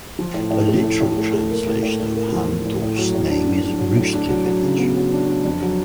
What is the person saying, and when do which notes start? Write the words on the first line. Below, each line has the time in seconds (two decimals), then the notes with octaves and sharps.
A literal translation of Hahndorf's name is "rooster-village".
0.19 F3
0.34 A2
0.50 A2
0.68 A3
0.84 A2
1.00 A2
1.17 A3
1.33 A3
1.50 A#3
1.66 A2
1.82 A2
2.00 A2
2.15 A#3
2.32 F3
2.48 F3
2.65 A2
2.82 A2
2.98 F#3
3.14 A2
3.30 D4
3.47 F#3
3.63 D4
3.79 F#3
3.97 A2
4.13 D4
4.29 F#3
4.46 F#3
4.63 C#3
4.78 B3
4.96 F#3
5.12 D4
5.27 D4
5.45 F2
5.61 F#3